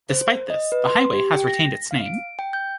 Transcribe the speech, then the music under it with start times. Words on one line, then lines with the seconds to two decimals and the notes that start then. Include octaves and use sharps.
Despite this, the highway has retained its name.
0.09 C5
0.50 D#5
0.72 B4
0.88 C6
1.13 G4
1.33 G5
1.48 A#6
1.91 F5
2.06 D7
2.39 G5
2.53 G6